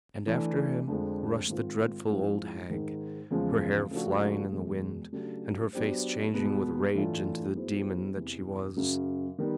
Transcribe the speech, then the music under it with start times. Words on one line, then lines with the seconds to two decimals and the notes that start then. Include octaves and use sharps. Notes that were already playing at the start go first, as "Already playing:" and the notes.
And after him rushed the dreadful old hag, her hair flying in the wind, and her face changing with rage into the demon that she was.
0.27 E3 A3 D4
0.88 F2 D3 F3 G#3
1.48 G#2 D#3 G#3 C4 F4
2.09 G#2 F3 G#3 C4 E4
2.69 G#2 D#3 G#3
3.31 E2 C#3 F3 G#3
3.91 C#3 F3 A3 D4 F#4
4.52 E2 B2 G#3
5.12 C#3 F#3 A3 D4 G4
5.73 F#3 B3 D4 G4 C5
6.34 B2 G#3 B3
6.94 A2 E3 A3 D4 F4
7.55 F#3 B3 E4 G#4 C5
8.16 E2 C3 E3
8.76 F#2 C#3 F#3
9.39 D#3 G3 B3